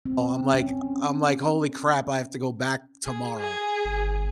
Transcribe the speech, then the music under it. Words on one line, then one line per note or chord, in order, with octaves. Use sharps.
I'm, like I'm like, "Holy crap, I have to go back tomorrow."
C4
C#4
G#4
G#4
G1